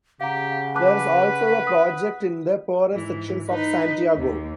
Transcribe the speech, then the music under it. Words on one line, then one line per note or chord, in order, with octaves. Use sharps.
There is also a project in the poorer sections of Santiago.
C#3 G4 F5 F#5 A#5
B4 A5 D6 F#6
D#6
G#2 E3
D#4 B4
D#2